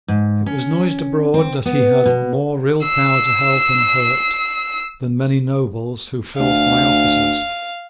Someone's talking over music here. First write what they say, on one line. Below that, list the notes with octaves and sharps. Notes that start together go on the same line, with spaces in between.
It was noised abroad that he had more real power to help and hurt than many nobles who filled high offices.
G#2
C#4
C4
B3
B2
E6 C7
D2 F5